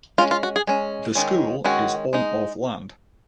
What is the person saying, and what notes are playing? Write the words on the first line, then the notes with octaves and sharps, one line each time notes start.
The school is on of land.
G#3 C#4 F4
F4
F#4
G#4
G#3 C#4
D#3 G#3 C#4
D#3 G#3 C#4 F#4
G#3 D#4